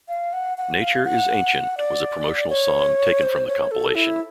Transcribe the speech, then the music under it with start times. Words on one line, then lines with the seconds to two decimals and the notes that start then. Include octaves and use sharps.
"Nature Is Ancient" was a promotional song taken from the compilation.
0.08 F5
0.33 F#5
0.58 F#5
0.81 F5
1.05 F#5
1.77 D5
2.50 C#5
3.22 C5
3.47 C#5
3.71 A4
3.95 E4